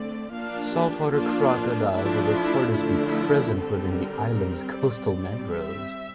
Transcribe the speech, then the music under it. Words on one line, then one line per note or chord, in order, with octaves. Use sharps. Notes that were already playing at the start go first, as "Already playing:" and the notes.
Saltwater crocodiles are reported to be present within the island's coastal mangroves.
Already playing: D3 A3 C4 D5
F3 A#3 D4 F5
G4
F3 A#3 D4 F4
F4
F3 A3 D4 E4
E4
D3 F3 A3 D4 E4
D3 G3 C4 A4
A#4
G3 C4
D5
G3 C4
E5